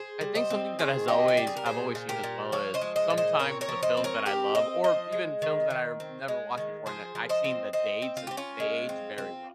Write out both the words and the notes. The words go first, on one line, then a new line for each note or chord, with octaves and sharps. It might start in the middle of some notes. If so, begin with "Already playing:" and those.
I think something that has always I've always seen as well is, sometimes the films that I love or even films that I've never watched before, and I I've seen the dates and they age very roughly.
Already playing: G#4 C5
G3
C5 D#5
C4
D#3 G#4 C5
C4 D#4 G4
F4
G3 G4
G#4
A#4
A#2 G#4 C5
A#2
G4 A#4
A#2
F3 C#5 F5
C5 D#5
G#3
C5 D#5
A#2
C5 D#5
C4 A#4 C#5
A#4 C#5
F3
C5 D#5
C4
A#4 C#5
C4 G4 A#4
C4 C5 D#5
F3 C5 D#5
G#3
D#3
D#3
C4
G#3
D#3
F3 G#4 C5
F3
C5 D#5
C4
C4 C5 D#5
C4
F4
C4 G4
C#4 F4
G#3
C4
C4